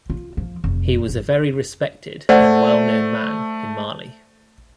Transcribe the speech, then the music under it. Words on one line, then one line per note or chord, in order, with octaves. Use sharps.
He was a very respected and well-known man in Mali.
F4
F3
F1
G1
A3 C5 D5 F#5